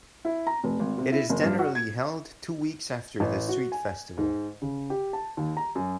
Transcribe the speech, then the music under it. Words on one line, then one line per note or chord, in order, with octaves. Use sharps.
It is generally held two weeks after the street festival.
E4
A#5
F1
G#1
C3
E4
F#1
G2
F#4
G#6
A1
F#4
G#5
G#2
C#3
G4
A5
D#2
A#5
F#2